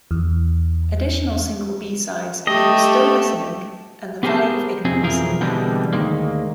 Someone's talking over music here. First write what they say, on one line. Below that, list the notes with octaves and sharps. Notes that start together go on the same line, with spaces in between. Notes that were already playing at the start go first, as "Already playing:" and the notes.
Additional single b-sides include "Still Listening" and "The Value of Ignorance".
E2
A3 G4 D#5
B3 G4 G#4 A#4 C5 A5
F2 C3 C4 G#4
B1 F2 E3 F3 G#4 A#4
B2 D3 E3 G3 G#3 C4
D2 D#3 G#3 A#3